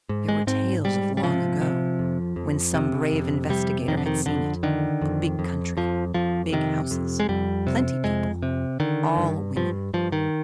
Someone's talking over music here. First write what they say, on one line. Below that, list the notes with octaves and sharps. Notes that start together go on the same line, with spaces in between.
But there were tales of long ago, when some brave investigator had seen it--a Big Country, Big Houses, Plenty People--All Women.
G#2
G#3
G#2 C4
G#2 G3
G3
C3 F3
C3
F2
F2
C3
F2
C3 G3
F2 D#3
D3
D#3
F2 D3
D3 D#3
F2
F2
F2 F3
F2 F3
C3 D#3
F2
G#3
F2 G3
C3
F2 G#3
C3
D3 D#3
G2
G2 F3
G2 F3
D#3